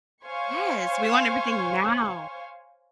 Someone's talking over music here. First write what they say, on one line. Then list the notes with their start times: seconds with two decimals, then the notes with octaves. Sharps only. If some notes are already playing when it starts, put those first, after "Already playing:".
Yes, we want everything now.
0.25 C5 C#5 F5 G#5 C6 C#6